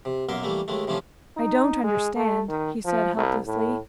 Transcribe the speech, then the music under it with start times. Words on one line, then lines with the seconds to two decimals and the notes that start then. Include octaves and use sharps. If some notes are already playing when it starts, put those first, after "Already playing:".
"I don't understand," he said helplessly.
0.05 C3
0.29 B1 F#2 A#3 A#4 E5 C6
0.43 E3 G3 A3 A#3
0.68 D#2 D#3 G#3 A3
0.88 C3 E3 F3 A3 C#4 F4
1.37 D#4
1.83 G#3
2.16 A3
2.48 D#3
2.85 F3
3.16 C2
3.46 A2